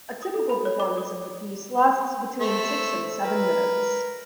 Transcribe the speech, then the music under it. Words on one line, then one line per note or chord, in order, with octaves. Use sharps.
A typical performance of the piece lasts between six and seven minutes.
D#6
A4
B5
C#5
D6
D#6
A3 C4 E5
A#4 B4